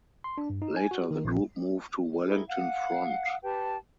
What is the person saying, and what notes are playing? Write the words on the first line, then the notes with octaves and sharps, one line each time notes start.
Later, the group moved to Wellington Front.
C6
D4
G2
D#4
G#5
F#4
D#3
A#1
E4 G#4 A#4
F5 F#5
G4 B4 G5 A5